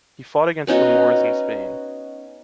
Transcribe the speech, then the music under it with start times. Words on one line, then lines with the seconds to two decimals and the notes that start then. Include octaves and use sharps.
He fought against the Moors in Spain.
0.67 B3 C#4 D#4 F#4